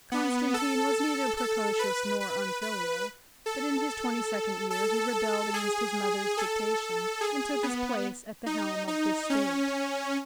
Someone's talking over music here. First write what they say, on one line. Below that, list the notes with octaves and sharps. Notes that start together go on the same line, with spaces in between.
Constantine was neither precocious nor unfilial, but in his twenty-second year he rebelled against his mother's dictation, and took his place at the helm of the state.
B3
A4
A4
B4
B4
B4
A4
A4
G#4
A4
G#4
B3
D#4
D#4
C#4